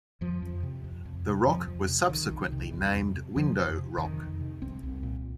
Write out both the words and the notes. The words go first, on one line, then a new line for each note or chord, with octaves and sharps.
The rock was subsequently named Window Rock.
F2 F3
F2
C3
F2
F2
C3
F2 F3
F2
C3
C2 D#3
C2
C3
F2
F2
C3
F2 F3
F2
C3
F2 D#3
F2
C3
C2 C4
C2
A#2